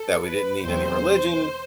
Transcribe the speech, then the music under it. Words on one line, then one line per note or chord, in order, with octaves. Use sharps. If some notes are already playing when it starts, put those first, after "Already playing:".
that we didn't need any religion,
Already playing: A4
B4
E2 B2 F#3 A3 C4 C5